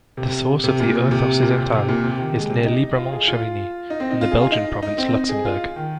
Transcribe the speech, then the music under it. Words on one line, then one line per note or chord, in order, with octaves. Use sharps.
The source of the "Ourthe Occidentale" is near Libramont-Chevigny, in the Belgian province Luxembourg.
C3
C3
A#2
C3
A#2
C3
C3
A#2
C3
D#3
G#3
C3
D#4
F4
G#4
F4
D#4
C4
D#4
F4
G#4
F4
D#4
D#4
C4
D#4
G#4
F4
D#3